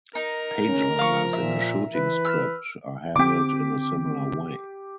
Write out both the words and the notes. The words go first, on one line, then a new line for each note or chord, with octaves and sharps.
Page numbers in a shooting script are handled in a similar way.
D#4 A#4
C#3 C#4
F3 F5 C#6
A#2 E5
E3 B4
E6 F6
D3 C4 G4 D6